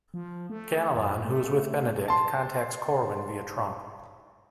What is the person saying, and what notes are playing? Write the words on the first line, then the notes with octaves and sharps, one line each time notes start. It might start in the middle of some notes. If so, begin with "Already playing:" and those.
Ganelon, who is with Benedict, contacts Corwin via Trump.
F3
A3
F#2
A3
A5 C6